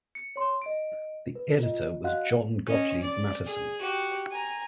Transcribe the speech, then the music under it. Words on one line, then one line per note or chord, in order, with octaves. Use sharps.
The editor was John Gotlieb Matteson.
C#7
C#5 C6
D#5 D7
B4
F4 D#5
F#4 D#5 F5 F#5 F#6
C#4 D#5
D5
G#4
F#4 G4
G#5 A#5